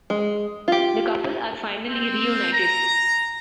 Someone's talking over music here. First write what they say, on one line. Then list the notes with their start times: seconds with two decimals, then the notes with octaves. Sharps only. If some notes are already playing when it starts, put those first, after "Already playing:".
The couple are finally reunited.
0.10 G#3
0.68 F4 G4
1.87 C4
2.53 A#5